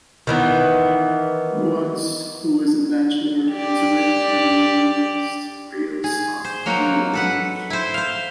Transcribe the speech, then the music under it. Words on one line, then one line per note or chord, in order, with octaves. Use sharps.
Watts, who was a bachelor, has written the loveliest cradle-song in the language.
D#3 E3 B3
G4 D5
G#4
C5
F#3 A#3 D#4 F#4
A4 B4 F#5
E4 C5
C5 F5